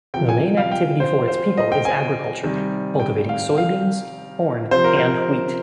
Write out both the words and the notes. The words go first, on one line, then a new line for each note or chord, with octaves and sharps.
The main activity for its people is agriculture, cultivating soybeans, corn and wheat.
C3 F3 G5
G#5
F5
G5
C5
C5
D#5
G5
G#5
C3 D#3 G3
G5
F5
F5
C3 F3 C5
A#4
C5